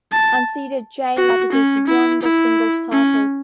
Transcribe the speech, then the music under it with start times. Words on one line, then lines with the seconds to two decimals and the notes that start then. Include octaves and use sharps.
Unseeded Jay Lapidus won the singles title.
0.12 A5
1.17 F#4
1.52 C#4
1.87 E4
2.22 E4
2.92 C#4